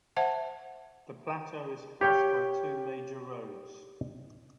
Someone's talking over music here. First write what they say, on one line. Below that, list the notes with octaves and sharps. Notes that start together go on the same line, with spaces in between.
The plateau is crossed by two major roads.
C5 E5 F#5 A5
G4 C#5 F5 G5